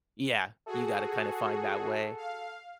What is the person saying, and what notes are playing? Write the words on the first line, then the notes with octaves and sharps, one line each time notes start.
Yeah, you gotta kind of find that way.
F#4 G#4 A4
F5